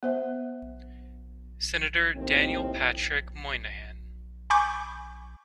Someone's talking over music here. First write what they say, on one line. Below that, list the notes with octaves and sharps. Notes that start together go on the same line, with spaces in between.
Senator Daniel Patrick Moynihan.
B3 C5 E5
D#2 A2 D#3 F3 C4
G#5 B5 C#6 D6 G6